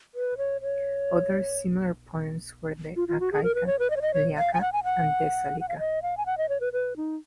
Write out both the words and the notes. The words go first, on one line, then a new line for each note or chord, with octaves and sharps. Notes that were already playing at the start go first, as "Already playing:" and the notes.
Other similar poems were the "Achaica", "Eliaca", and "Thessalica".
B4
C#5
C#5
F4
F4
F#4
G#4
A#4
B4
C#5
B4
D#5
C#5
D#5
C#5
F5
G#5
F#5
G#5
F#5
F#5
F5
D#5
F5
G#5
F#5
D#5
C#5
B4
B4
D#4